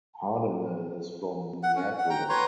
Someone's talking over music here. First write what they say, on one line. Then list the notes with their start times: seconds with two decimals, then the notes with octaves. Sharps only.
Hardeman is from Minneapolis.
1.63 F#5
1.76 C#4
1.98 F#5
2.10 G5 A#5
2.29 B4 C#5 A#5 C6